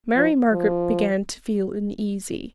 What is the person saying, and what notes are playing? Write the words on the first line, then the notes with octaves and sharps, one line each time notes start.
Mary Margaret began to feel uneasy.
F3
F3